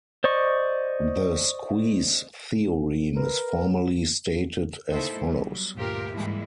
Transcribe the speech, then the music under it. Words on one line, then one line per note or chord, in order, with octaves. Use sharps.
The squeeze theorem is formally stated as follows.
C5 D5 D#5 C#6
A#4 B4
A3 A#3 D#4 E4 A4 C5
F#3 G3 B3
D2 G2 A#2 F4 G4 A#4
G#2 E3 G3 G#3 A#3 E4